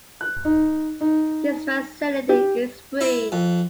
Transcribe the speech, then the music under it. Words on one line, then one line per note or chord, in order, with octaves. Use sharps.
This facility is free.
F#6
D#4
D#4
G4
E4
F2